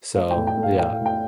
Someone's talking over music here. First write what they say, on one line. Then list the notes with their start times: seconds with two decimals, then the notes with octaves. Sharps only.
so yeah.
0.14 A3 F5
0.31 G5
0.36 A2
0.47 G5
0.57 A3
0.63 F5
0.79 A2 G5
0.93 F5
1.01 A2
1.06 G5